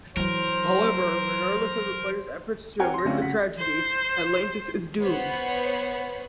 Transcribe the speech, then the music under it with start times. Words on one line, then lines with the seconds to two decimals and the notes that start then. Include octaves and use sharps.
However, regardless of the player's efforts to avert the tragedy, Atlantis is doomed.
0.17 E3 F#3 A#4 C5
2.79 C4 F#4 A#4 C#5 G5 G#5
2.94 C6 A#6
3.05 D3 A3 C4 C#4 F4
3.22 C#3 F#4 F#5 B6
3.59 C5
5.00 B3 C5 C#5 F#5 B5